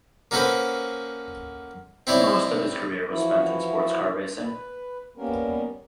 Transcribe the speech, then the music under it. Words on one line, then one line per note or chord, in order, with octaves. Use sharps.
Most of his career was spent in sports car racing.
A#3 C#4 F#4 A4 B4 C5
C4 E4 C#5 D5
E3 F3 E4 F#4
B4
G3 A#3 B3 C#4 A#4